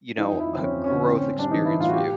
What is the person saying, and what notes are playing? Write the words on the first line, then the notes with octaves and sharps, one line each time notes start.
you know, a growth experience for you.
F3 D#4
F2
E4
F3
C4
F2 C#4
F2
C#4
D3
A2 C4
C#4
A2
C#4
G3 D4
E3 D#4
E3 E4
A2 F4
F#4
G4